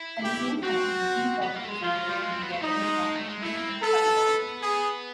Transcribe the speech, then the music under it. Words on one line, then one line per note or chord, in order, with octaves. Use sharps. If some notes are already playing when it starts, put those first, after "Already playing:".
At the same time the p-orbitals approach and together they form a p-p pi-bond.
Already playing: E4
G4
C4 F#4
B3
A#3
A3
G#3
F3 F4
F#3
G3
G#3
C4
B3
A3
G3 D#4
G#3
G#3
A3
G#3
A3 E4
A#3
C4
B3 A4
G#4